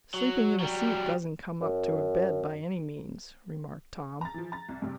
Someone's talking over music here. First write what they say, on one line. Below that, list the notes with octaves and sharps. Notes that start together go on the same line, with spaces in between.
"Sleeping in a seat doesn't come up to a bed, by any means," remarked Tom.
F#3
F#3 G3
F#2
A#5 A6
E3 F3
A#5 A6
C2
G2 C3 G3